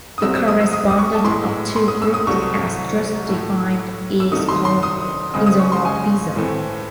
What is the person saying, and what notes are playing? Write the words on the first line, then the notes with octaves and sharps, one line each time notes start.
The correspondence of two groups as just defined is called isomorphism.
D#6
C2 C3 F#3 C4 E6
E6
D#6
E6
D#6
D#6
C#6
A5
A2 E3 G#3 C6
C6
D#6
E6
D#6
C2 C3 F#3 A3 C#6
A2 F#3 A3
E6
C2 C3 D#3 A3 D#6
C6
C6
D#6
C#2 C#3 G#3 C4 D#6
D#6
C#6
C6
G#5
A2 E3 A3 C4